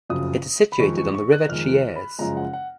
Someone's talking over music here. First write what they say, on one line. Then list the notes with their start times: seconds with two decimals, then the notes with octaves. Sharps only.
It is situated on the river Chiese.
0.09 F#1 F2 C#3 F#3 D#6
0.72 B5
0.79 F2 D#3 G#3 C#6
0.98 C#6
1.14 C#6
1.32 F#6
1.49 F2 D#3 G#3 F6
1.96 B5
2.19 F#1 F#2 C#3 F3 G#3 A#5
2.37 F#5
2.53 F#5